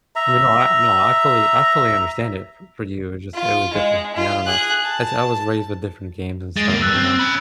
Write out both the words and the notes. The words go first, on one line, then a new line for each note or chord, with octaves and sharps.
I mean, no, I no, I fully I fully understand it f for you, it just it was different, yeah, I don't know, that's I was raised with different games and stuff, you know?
E5 A#5
F4
G#3
F4
G#4 F#6
A5
G#3 A6 D7
D2 A#3
E2 G2 E6 F#6 A6
C4
C#4 B5